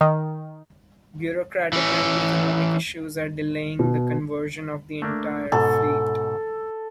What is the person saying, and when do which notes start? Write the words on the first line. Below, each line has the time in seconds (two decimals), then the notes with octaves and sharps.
Bureaucratic and economic issues are delaying the conversion of the entire fleet.
0.01 D#3
1.73 E3 C#4
3.79 B2
5.02 A3 A#3 D4
5.52 G#2 B2 A4 F#5